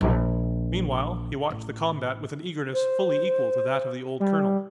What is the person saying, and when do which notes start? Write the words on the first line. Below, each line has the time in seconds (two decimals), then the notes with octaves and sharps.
Meanwhile he watched the combat with an eagerness fully equal to that of the old colonel.
0.01 A#1
1.50 A1
2.73 C5
4.20 G3